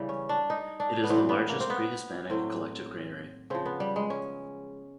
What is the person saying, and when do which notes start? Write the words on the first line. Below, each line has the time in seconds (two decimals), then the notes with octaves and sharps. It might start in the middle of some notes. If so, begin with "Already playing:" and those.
It is the largest pre-Hispanic collective granary.
Already playing: C#3 E3 G3
0.09 C#4
0.29 D4
0.50 D#4
0.80 D4
1.04 B3
1.09 A2 E3 G3 C4
1.29 B3
1.49 A#3
1.60 C4
1.70 B3
2.30 A2 F#3 C4
3.50 C#3 F3 C4
3.65 B3
3.80 G3
3.96 G#3
4.10 C#4